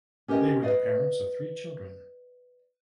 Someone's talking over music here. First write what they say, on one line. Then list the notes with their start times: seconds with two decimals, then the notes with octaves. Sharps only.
They were the parents of three children.
0.28 C#4 G4 A#4 B4 D#5 G5
0.62 B4 C5 D5 D#5 F5